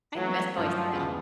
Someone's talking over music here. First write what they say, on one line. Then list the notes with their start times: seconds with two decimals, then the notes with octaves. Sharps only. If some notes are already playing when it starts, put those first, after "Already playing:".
I miss voicemail.
0.15 E3 F#3 A3 C#4
0.54 G2 D#3 F3 F#3 A3 C#4
0.93 E2 C#3 E3 G#3